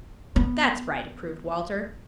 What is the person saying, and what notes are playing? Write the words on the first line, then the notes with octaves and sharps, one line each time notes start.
"That's right," approved Walter.
B3